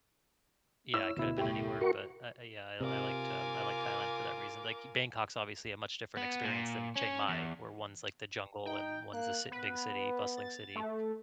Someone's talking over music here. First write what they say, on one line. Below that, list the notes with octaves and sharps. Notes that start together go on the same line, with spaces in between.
yeah, I coulda been anywhere, but uh uh yeah, I'll I liked, um I liked Thailand for that reason, like, Bangkok's obviously a much different experience than Chiang Mai, where one's, like, the jungle and one's a cit big city bustling city.
E4 C#5 E6
D2 B2 E4
A2 G4
F#4 A#4 C#6
C3 F4 A#4 G#5 D6
B3
A#2
C#4
E2
D#4 G5
A#3 F#6
B3 B4
A6
A3